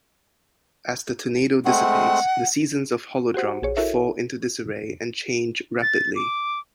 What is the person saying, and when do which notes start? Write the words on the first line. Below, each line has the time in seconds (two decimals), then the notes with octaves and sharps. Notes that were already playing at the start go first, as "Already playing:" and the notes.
As the tornado dissipates, the seasons of Holodrum fall into disarray and change rapidly.
1.65 G#3 A3 C4 F#5
3.34 F#4 G4 C5 F#5
3.62 A#1 G#4 C#5
3.77 E4 F#4 A4 A#4 C#5 E5
5.82 A6
6.16 D6